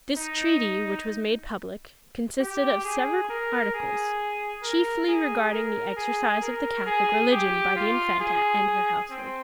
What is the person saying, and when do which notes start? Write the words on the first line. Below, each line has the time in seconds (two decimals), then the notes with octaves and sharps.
This treaty, which was made public, consisted of several articles, chiefly regarding the exercise of the Catholic religion by the infanta and her household.
0.17 D#4
2.40 G4
2.85 G#4
3.29 A#4
3.74 G#4
4.63 A#4
5.09 G#4
5.53 A#4
5.97 G#4
6.41 A#4
6.86 G#4
7.31 G4
7.76 F4
8.20 G#4
9.10 C4